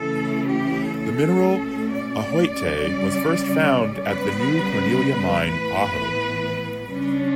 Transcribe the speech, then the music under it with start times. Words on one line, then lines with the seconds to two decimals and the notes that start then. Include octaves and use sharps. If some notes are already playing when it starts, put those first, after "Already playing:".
The mineral ajoite was first found at the New Cornelia Mine, Ajo.
Already playing: C#3 E3 A3 C#4 A4
0.46 G4
0.82 A4
1.17 B2 A3 C#4
1.90 D5
2.61 C#3 G3 C#4
4.03 C#3 G3 B3 B4
5.47 A2 E3 B3 B4
6.91 C#3 G3 C#4 D4